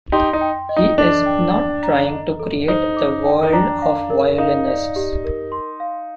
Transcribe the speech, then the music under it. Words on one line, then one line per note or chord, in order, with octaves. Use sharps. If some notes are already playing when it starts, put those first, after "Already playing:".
He is not trying to create the world of violinists.
D#4 G4 C6
D#4
G5
D#5
D#4
D4 A4
G5
D5
A#5
D#5
A4
D#4 C5
D6
G5
D#4
D4 A#5
F5
A#4
D#4 F5
D5
G4
A#4
C6
F5